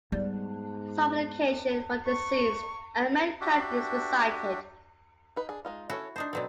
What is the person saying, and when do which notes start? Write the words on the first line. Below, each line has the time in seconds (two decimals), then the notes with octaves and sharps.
Supplication for the deceased and mankind is recited.
0.12 G#2 G3 B3
2.06 C#6
3.41 D4 F#4 G4 E5
5.36 D#4 B4
5.49 D4 G#4
5.65 G#3 D#4 F4
5.90 C#4 E4 F#4 A4 C#5
6.16 D4 D#4 C5 A5
6.33 B2 F#3 C4 A4 B4 D5